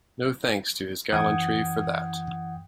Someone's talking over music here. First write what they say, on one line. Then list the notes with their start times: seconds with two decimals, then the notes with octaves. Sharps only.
No thanks to his gallantry for that.
1.12 F#2 E3 F#5 G5 D#6 G#6